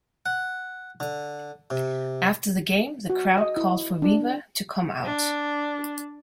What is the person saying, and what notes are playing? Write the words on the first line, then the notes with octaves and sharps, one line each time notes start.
After the game, the crowd called for Weaver to come out.
F#5
D3
C3
F#4
D#5
E4
D4
D4